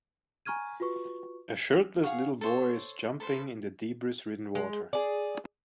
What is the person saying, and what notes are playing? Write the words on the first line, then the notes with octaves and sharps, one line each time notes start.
A shirtless little boy is jumping in the debris ridden water.
G#5 A#5 C#6 F6 G#6 D#7
F4 F#4 B4 C#6
G#4 F5 F#5 C#6
A4 C5 C#5
A4 B4 C5
G#3
G#4 D5